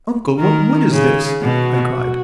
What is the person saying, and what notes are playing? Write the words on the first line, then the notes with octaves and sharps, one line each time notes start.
"Uncle, what wood is this?" I cried.
D#3 A#4
C#3 G#4
B2 F#4